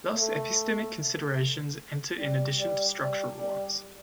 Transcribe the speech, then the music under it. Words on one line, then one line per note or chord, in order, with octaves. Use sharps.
Thus epistemic considerations enter in addition to structural ones.
A3
G3
G3
G3
G3